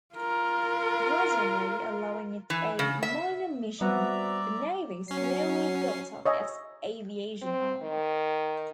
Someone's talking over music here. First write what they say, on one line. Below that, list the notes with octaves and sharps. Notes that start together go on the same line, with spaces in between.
Grudgingly allowing it a minor mission, the navy slowly built up its aviation arm.
F4 A#4
E3
C#3
E5
G3 B3 C4 F#4 D5 E5 A#5
F#3 C#4 C7
C#5 D#5 E5 G#5
C4
D#3